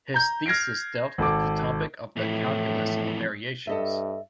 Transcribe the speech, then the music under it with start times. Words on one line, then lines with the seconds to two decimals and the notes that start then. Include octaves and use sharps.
His thesis dealt with the topic of the calculus of variations.
0.14 A#5 G6
0.46 F6 G#6 A#6 C7 D7
1.18 G#1 A4 D6
2.16 F2 A2 E3
3.67 G2 A4 D#5 E5